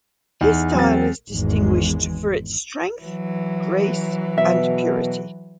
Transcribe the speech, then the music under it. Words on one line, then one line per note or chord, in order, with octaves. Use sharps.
His style is distinguished for its strength, grace and purity.
E2 D#4
F#3 C4 A6
G#1 E2 G#3
E3 F#3
B2 E5